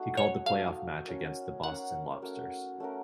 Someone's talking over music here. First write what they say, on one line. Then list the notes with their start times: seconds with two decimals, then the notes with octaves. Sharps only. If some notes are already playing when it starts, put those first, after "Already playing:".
He called the playoff match against the Boston Lobsters.
Already playing: A3 D#4 F#4
0.17 C#5
0.46 A3 D#4 F#4 F5
1.05 C#4 F#4 A#4 F5
1.63 C#4 F#4 A#4 F5 F#5
2.22 A3 C#4 F#4 A#4
2.80 A3 C#4 F#4 A#4